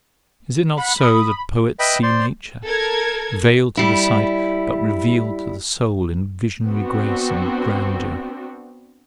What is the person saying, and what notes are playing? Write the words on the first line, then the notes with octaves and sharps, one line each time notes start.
Is it not so, that poets see nature, veiled to the sight, but revealed to the soul in visionary grace and grandeur!
F#5 B5
D#6
B4 D#5 E5 G5 B5
C5 D5 C6
A4 A#4 G#6
G3 E4
B3 C4 D4 F#4